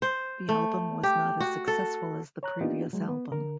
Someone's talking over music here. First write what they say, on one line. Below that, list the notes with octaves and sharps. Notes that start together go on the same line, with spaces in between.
The album was not as successful as the previous album.
C5
A3
G4
F#4
A4
C#5 A#5 F#6
A#3 B3 D4 D#4 F4 G4
F#3 G#3
B3
D3 A#4